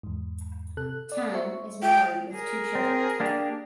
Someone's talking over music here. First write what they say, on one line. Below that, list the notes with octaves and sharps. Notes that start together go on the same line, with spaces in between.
Tan is married with two children.
E2 G#2
C3 A4 F#6
D5
C5 E5 C#6
F4 E5 G5
G#4 A#4
C4
A#3 D4 G4